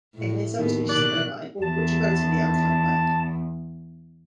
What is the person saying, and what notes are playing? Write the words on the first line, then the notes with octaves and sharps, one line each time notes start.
It contains several species of bovine, all of which are relatively antelope-like.
A2
D#2 A2 B3
B2 D#3 F#3 D5 F#6
E2 A5